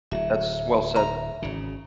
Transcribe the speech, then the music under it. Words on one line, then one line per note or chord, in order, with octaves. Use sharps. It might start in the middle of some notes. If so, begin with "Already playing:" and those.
That's well said.
D1 F#3 E5
A#5
G#1 C#3